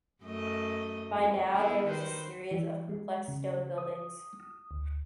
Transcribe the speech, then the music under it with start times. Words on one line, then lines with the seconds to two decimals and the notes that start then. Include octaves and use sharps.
By now there was a series of complex stone buildings.
0.24 F#2 A3 D#5
1.11 F2
1.54 B3 E4 G#4
1.84 D#3 B4 C5
2.51 E3
2.89 G#3
3.28 C#3
3.78 D#6
4.71 D2